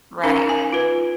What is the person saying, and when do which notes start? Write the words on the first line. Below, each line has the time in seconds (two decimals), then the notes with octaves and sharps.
Right, i
0.23 C#4 D#4 A#4 F5
0.49 G#5
0.73 F4 B4